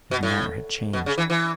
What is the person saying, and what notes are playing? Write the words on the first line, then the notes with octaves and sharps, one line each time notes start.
His manner had changed.
B2
A2
B2
C#3
E3
E3